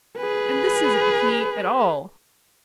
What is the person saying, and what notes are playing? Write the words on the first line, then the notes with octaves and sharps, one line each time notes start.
And this isn't he at all!
G#4 B4